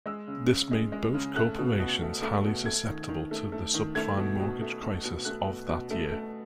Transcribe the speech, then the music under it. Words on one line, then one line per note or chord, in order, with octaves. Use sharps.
This made both corporations highly susceptible to the subprime mortgage crisis of that year.
G#3 E6
C#3
C#3
G#3
G#3
C#3
A3 F#6
B2
B2
A3
A3
B2
A3 G#6
D#3
D#3
A3
A3
D#3
A3 G#6
B2
B2
A3
A3
B2
A3 F#6
B2
B2
A3
A3